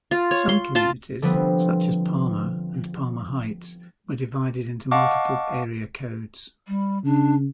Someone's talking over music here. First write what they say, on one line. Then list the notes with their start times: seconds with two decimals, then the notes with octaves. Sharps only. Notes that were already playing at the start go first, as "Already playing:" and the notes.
Some communities, such as Parma and Parma Heights, were divided into multiple area codes.
0.11 F4
0.31 C#5
0.49 C6
0.75 F4 A5 C6
1.22 D3 F3 G3 B3 C4
4.91 D#5 F5 F#5 A5 C#6 D6
6.67 G3
7.04 C#3 D4